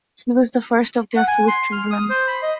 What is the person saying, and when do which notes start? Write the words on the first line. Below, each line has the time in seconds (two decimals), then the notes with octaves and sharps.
She was the first of their four children.
1.17 F#5
1.28 G#5
1.48 C6
1.73 F6
1.91 D#6
2.10 C5
2.28 B5
2.43 D#5